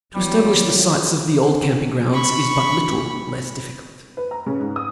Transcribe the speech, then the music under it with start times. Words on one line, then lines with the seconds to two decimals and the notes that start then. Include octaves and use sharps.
To establish the sites of the old camping grounds is but little less difficult.
0.15 E2 F#3 G3
2.13 B5 C#6
4.17 B4
4.31 A#5
4.46 C#3
4.60 G#2
4.76 D#6